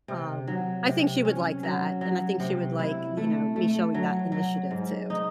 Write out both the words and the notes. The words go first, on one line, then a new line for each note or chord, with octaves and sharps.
um, I think she would like that, and I think she would like, you know, me showing that initiative too,
C3
F#3
C3
C#4
F#3
F#3
C3
E4
A3
A3
F#3
F#3
G#2
D#4